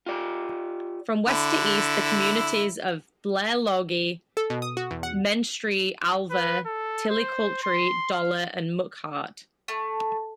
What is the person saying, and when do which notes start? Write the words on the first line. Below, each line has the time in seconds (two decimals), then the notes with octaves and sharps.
From west to east the communities are Blairlogie, Menstrie, Alva, Tillicoultry, Dollar and Muckhart.
0.06 F4 G4 D5
1.28 D3 E4
4.37 A4
4.50 B2
4.62 D#6
4.77 F#4
4.91 E2
5.03 F#5
6.31 B4
6.66 A4
7.10 C5
7.63 C6
8.13 F5
9.68 A3